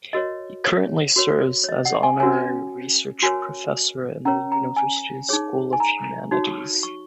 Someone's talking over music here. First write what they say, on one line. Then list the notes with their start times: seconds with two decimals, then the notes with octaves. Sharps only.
He currently serves as Honorary Research Professor in the University's School of Humanities.
0.13 F#4 A#4 C#5 D#5
0.65 C#5
1.16 F#4 A#4 C#5
1.64 C#5
1.69 D#5
1.85 F#5
2.03 G#5
2.20 C#4 F#4 A#4 C#5 G#5
3.22 F#4 A#4 C#5 G#5
4.25 C#4 A#4 C#5 A#5
4.52 A#5
4.76 G#5
5.29 D#4 G#4 C#5
5.73 G#5
5.80 A#5
6.31 D#4 F#4 C#5
6.83 C#6